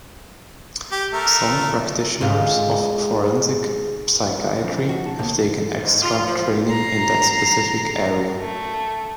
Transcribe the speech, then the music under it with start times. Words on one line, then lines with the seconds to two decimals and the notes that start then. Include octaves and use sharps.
Some practitioners of forensic psychiatry have taken extra training in that specific area.
0.92 G4
1.13 A3 A#4
2.21 G#2 F4
4.62 F3 C#4 D#4
4.89 F#4
5.06 B2 A5
5.19 D#2 D3
5.83 G#2
6.02 F4
6.25 F3
6.70 A#5 C7
8.39 A3